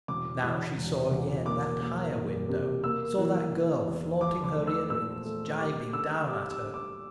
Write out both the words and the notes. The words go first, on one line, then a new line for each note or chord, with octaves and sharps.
Now she saw again that higher window, saw that girl flaunting her ear-rings, gibing down at her.
E1 D6
E2
E1
E1
A#3 D6
A#3
A#3
C3
A#3 E6
E3
E3
E2
F3 D6
D6
A3
E6
A#2 E6
A3
G3 D6
D3 E6
G3 D6
E6
D3
D6